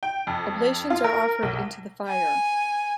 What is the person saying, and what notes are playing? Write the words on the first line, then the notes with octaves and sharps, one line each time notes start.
Oblations are offered into the fire.
G5
F2
F4
A#4
B1
G#5